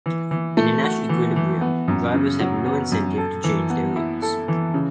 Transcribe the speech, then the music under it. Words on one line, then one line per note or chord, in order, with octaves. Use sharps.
In a Nash equilibrium, drivers have no incentive to change their routes.
E3
E3
A3
F#4
E3
E3
B3
F#2
C#3
F#3
B3
F#2
A4
E3
B3
E4
A4
E3
C#3